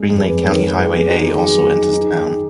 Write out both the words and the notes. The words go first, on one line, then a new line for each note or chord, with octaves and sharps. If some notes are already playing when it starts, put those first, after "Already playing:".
Green Lake County Highway A also enters town.
Already playing: G#3 C#4
F2
G#4 B4
F2
D#3 A#4 C#5
G#3
G#4 B4
F2
B3 G#4
D#4 F#4
D#3 G#4
F#3 G#4
B3
D#4
D#4
D#3
D#3